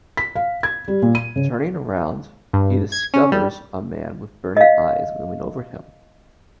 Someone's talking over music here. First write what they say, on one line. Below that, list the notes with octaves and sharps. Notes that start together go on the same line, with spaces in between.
Turning around, he discovers a man with burning eyes looming over him.
B6
F5
G#6
G3
A#2
D#7
C#3
G2
G#6
C#4
G3
D#5 F5